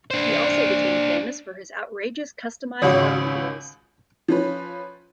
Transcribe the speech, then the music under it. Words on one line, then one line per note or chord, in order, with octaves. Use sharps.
He also became famous for his outrageous customized automobiles.
D4 C5
G#1 C#2 C#3 F#4 C#5
F3 C#4 B4